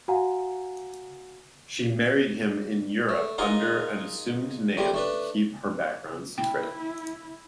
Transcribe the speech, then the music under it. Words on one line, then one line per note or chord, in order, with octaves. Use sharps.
She married him in Europe under an assumed name to keep her background secret.
F#4 F5 F#5 G#5 A#5
A3
D#4 F4 G#4 A#4 D#5
A2 G3 C4
A3 D4 B4
E4 G5